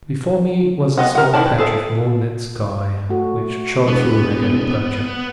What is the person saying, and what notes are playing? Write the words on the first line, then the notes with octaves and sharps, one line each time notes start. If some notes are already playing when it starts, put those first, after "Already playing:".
Before me was a small patch of moonlit sky which showed through a ragged aperture.
B3 D#5 F#5
A#4 F#5
D#3 E4 D5 A5
B4
G#4 A4 C#5 E5
A3 F#4 A4
E1 B3